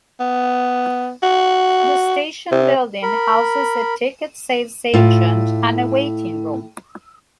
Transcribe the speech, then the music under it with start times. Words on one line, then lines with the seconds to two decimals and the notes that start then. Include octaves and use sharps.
The station building houses a ticket sales agent and a waiting room.
0.20 B3
1.23 F#4
2.52 C3
3.03 A#4 B5
4.94 A2 F4